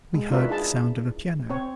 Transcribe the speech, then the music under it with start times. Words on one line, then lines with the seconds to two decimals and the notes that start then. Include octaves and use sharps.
We heard the sound of a piano.
0.14 G#3
0.30 D4 F4 F#4 A#4 B4 E5
0.48 D#4 E4 G#4 A5
1.50 C4 C#5